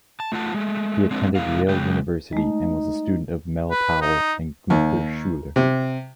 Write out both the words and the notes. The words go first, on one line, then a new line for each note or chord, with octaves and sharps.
He attended Yale University and was a student of Mel Powell and Gunther Schuller.
A5
A3 F4 F#5 A5
G#3 A3
G#3 C4 D4
C3 G3 G#3 E4 A#4 F5
C#3 G#3 G5
G#3 A3 D#4
B4
D#4
D#2
C3